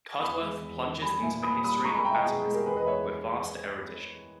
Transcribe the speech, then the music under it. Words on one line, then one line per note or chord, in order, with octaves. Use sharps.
Cudworth plunges into the history of atomism with vast erudition.
E2 B5 D#6
G#3
E2
D#3
G3 G#5 B5
A#2 E5 G#5
A#2 B5 D#6
G3 B5 D#6
G#3 A#5 C#6
G#5 B5
B2 G5 A#5
E5
D#5 G5
B2 G#4
G#4
G#3
G4 A#4
E2 G#4 B4
B4 D#5
G#3 C#5 E5